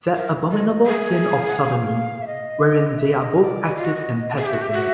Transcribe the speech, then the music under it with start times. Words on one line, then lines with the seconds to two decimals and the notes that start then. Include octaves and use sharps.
That abominable sin of sodomy, wherein they are both active and passive in it.
0.16 A#4 E5
0.51 A4 D#5
0.69 D#5
0.86 G#4 E5
1.10 E5
1.33 F5
1.50 F#5
1.57 F5
2.22 E5
2.27 D#5
2.97 E5
3.20 D#5
3.44 D5
3.67 F#4 D#5
3.76 F4
3.85 F#4
4.38 G#4 E5
4.46 G4
4.54 F#4
4.61 G4
4.73 F#4